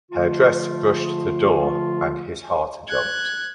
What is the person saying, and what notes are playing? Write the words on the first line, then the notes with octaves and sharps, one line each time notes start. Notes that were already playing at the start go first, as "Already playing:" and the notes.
Her dress brushed the door, and his heart jumped.
D3 F3 A3 F4
F#6 G#6